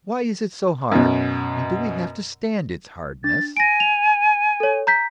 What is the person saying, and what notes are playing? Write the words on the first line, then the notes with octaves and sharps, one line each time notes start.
Why is it so hard, and do we have to stand its hardness?
F#2 B2
D4 A6
G#5 A#6 D7
F7
A4 C#5
A#5 G6 B6